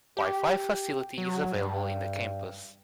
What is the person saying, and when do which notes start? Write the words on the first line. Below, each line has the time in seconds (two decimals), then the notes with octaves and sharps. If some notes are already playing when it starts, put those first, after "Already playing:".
Wi-fi facility is available in the campus.
0.17 G4
1.18 F#3
1.54 G2